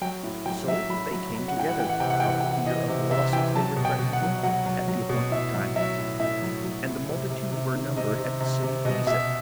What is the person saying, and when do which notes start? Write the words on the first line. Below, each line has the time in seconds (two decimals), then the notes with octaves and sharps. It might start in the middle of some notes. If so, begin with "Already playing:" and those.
So they came together, out of fear of the losses they were threatened with, at the appointed time. And the multitude were numbered at the city Bezek.
0.01 F#3 G5
0.23 A2
0.46 F#3 G5
0.68 F#3 E5
0.89 F#3 B5
1.11 F#3
1.34 F#3
1.48 F#5
1.56 A2 G5
1.69 F#5
1.79 E3 G5
1.89 F#5
2.00 C3 G5
2.10 F#5
2.20 E3 G5
2.30 F#5
2.40 E3 G5
2.51 F#5
2.66 E3 D#5
2.88 C3
3.11 C3 E5
3.32 E3 G5
3.55 F#3 A5
3.77 B2
3.85 G5
3.99 B2
4.13 F#5
4.22 F#3
4.43 F#3 F#5
4.65 F#3
4.88 F#3
5.09 B2
5.31 A2 E5
5.54 F#3
5.76 F#3 E5
5.98 A2
6.20 A2 E5
6.42 F#3
6.64 F#3
6.86 A2
7.08 C3
7.30 C3
7.52 C3
7.75 D#3
7.96 C3 D#5
8.18 C3
8.40 C3
8.63 C3
8.85 B2 D#5
9.07 B2 E5